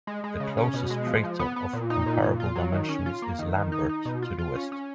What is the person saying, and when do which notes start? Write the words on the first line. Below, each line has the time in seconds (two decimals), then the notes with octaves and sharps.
The closest crater of comparable dimensions is Lambert to the west.
0.07 G#3
0.24 G#3
0.40 C#3
0.57 C#4
0.74 B2
0.90 G#3
1.07 F3
1.23 F3
1.39 B3
1.56 B3
1.73 A#2
1.90 D#4
2.06 A#2
2.23 A#2
2.40 F4
2.56 F#3
2.72 D#3
2.89 C#4
3.06 F4
3.22 A#3
3.39 D#3
3.56 D#3
3.72 D#4
3.89 D#4
4.05 B2
4.22 F4
4.38 F4
4.55 C#4
4.72 C#4